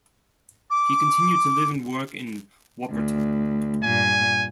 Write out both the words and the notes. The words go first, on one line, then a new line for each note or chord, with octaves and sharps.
He continued to live and work in Wuppertal.
D6
D2
G2 A#2 G#5